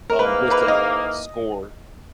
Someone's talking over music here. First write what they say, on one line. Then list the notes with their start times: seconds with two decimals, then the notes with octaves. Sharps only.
um, just to score.
0.10 A#4
0.18 G#2 E3 A#3 D#4 B4
0.51 B4
0.68 D#5